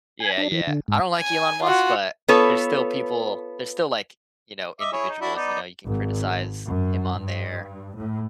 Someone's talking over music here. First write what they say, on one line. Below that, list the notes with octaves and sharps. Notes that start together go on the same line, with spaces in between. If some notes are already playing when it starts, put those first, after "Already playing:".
Yeah, yeah. I don't like Elon Musk, but there's still people there's still, like, you know, individuals, you know, you can criticize him on there,
G#5
D4
E3
D3
G#2
G#5
F4 F#4
B3 F4 A4 B4 C#5
D#5 E5 D6
E4 G#4 C#5
D#4
D4 E4 F#4
B3 D#4 D5
G#1
F#2
G2
A2